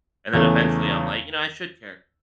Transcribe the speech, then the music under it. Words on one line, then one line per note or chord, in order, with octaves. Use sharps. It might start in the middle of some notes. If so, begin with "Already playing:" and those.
and then eventually I'm like, "You know, I should care."
E2 C#3 E3 A3